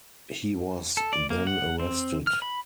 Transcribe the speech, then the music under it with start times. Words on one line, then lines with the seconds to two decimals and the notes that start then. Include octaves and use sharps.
He was then arrested.
0.97 A4
1.13 D5
1.30 A#3
1.47 F#5
1.79 C4
2.27 F6
2.42 B5